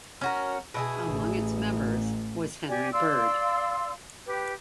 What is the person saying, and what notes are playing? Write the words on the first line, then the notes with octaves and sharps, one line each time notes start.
Among its members was Henry Bird.
C#4 F#4 A#4
B2 E4 G#4
A1
G4 D5 G#5
D5 F5 C6 E6
G4 B4